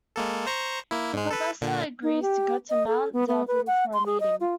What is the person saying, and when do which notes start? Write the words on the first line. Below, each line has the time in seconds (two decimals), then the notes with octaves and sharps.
The professor agrees to go to Mount Devil for a meeting.
0.16 G#3 A#3 A4
0.47 C5 A#5 C#6
0.91 A#3 E4
1.14 G#2 G#3
1.31 A4 B4
1.61 A#2 D3
2.03 D#4
2.22 G4
2.70 D#5
2.88 A4
3.13 B3
3.28 B3
3.48 B4
3.67 F#5
3.93 C6
4.06 G#4
4.20 D#5
4.41 F4